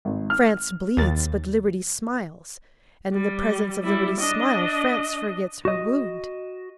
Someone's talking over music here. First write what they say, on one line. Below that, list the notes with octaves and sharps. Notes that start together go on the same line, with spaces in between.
France bleeds, but liberty smiles; and in the presence of liberty's smile, France forgets her wound.
G#1
F6
D#2 A6
G3
G3 E4
D4 D#5
F#4 D#5